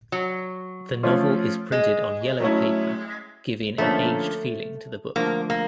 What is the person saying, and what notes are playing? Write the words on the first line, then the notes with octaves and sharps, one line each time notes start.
The novel is printed on yellow paper, giving an aged feeling to the book.
F#3
F3 A3 C#4 F4
G#3
F#3 A3 C#4 E4
D3 F3 A3 A#3 C#4
D3 F3 A3 A#3
A#3